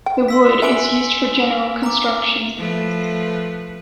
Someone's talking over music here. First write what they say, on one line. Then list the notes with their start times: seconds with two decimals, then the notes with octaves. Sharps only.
The wood is used for general construction.
0.06 G5
0.28 C6 E6 B6
0.62 D4 B4 E5 G#5 D7 F#7
1.83 A#5 D6
2.57 F3 A3 B4